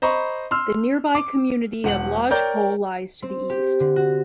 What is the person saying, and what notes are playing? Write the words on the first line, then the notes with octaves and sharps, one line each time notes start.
The nearby community of Lodge Pole lies to the east.
C5 D#5 A#5 B5 C#6
C6 E6 F6
D6
E1 F#5 F#7
A#4 C#5 D5 G5 A#5 G6
C4
G4
D3
F#4